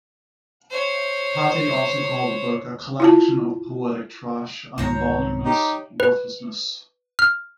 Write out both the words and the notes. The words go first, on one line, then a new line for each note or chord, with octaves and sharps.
Pattee also called the book a "collection of poetic trash" and "voluminous worthlessness".
C5 C#5
E4 F4 A5
C2 G#2 D#3 C5 C#5 A#5
D#4 G4
B4
F6